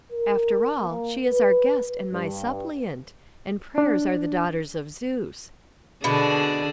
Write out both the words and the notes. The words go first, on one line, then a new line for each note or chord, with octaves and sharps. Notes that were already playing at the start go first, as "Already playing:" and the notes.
After all, she is our guest and my suppliant, and prayers are the daughters of Zeus.
A#4
A#3
B4
G2
D4
B2 D3 D4 G#4